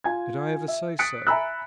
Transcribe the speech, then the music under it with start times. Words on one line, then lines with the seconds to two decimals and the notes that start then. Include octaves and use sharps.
"Did I ever say so?"
0.04 F4 G#5 G#6
0.68 E5
0.99 D#6 F#6 A6 B6 C#7 D7
1.27 E5 G#5 A#5 B5 E6 F#6